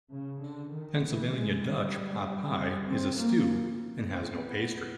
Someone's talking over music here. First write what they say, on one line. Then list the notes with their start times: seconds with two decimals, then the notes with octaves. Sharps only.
Pennsylvania Dutch pot pie is a stew and has no pastry.
0.11 C#3
0.42 D3
0.72 D#3
1.02 E3
1.33 G#3
1.64 G3
2.85 C4
3.16 A#3
4.08 C4
4.38 B3